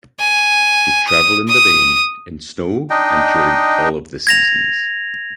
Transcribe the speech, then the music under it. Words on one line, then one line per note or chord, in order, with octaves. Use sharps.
They travel in the rain, in snow, and during all of the seasons.
G#5
D#6
D#6
D4 D#4 D#5 G5
G#6 A#6 F7